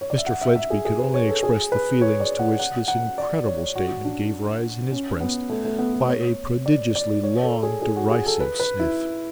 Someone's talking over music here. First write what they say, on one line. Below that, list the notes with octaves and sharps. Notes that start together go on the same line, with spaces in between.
Mr Fledgeby could only express the feelings to which this incredible statement gave rise in his breast, by a prodigiously long derisive sniff.
C#5
D5
E5
F#5
E5
E5
G#4
G#4
B4
C#5
A4
G#4
B4
C#5
D5
F#5
F#5
F#5
D5
C#5
F#4
D4
C#4
B3
A3
A3
B3
A4
C#5
D5
D5
C#5
A4
G#4
G#4
F#4
G#4
A4
B4
B4
E4